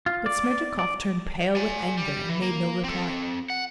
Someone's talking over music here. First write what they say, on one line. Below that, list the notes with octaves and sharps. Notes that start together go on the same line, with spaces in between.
But Smerdyakov turned pale with anger, and made no reply.
F4
D5
D5
D5 G#5
G3
E3
A#3
C4 A4
F#5